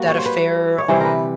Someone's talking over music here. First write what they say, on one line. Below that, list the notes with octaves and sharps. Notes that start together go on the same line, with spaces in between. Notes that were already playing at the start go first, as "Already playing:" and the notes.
that a fair, um,
Already playing: G3 A#3 F#4
C#5
C5
B4
C#5
C3 E3 G3 C5
A#4 B4